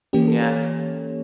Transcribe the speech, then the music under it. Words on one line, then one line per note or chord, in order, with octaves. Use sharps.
M yeah,
E3 A#3 C#4 G4
A4
C#5